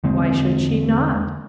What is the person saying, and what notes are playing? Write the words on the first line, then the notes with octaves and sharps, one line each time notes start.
Why should she not?
E2 D3 G#3 C4